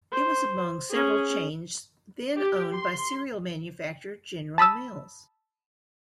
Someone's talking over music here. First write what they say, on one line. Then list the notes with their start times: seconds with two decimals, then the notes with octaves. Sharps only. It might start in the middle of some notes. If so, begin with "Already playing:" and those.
It was among several chains then owned by cereal manufacturer General Mills.
0.12 C5
0.90 C#4 G#4
2.37 G4
2.72 C6
4.58 A5 B5 D#6 E6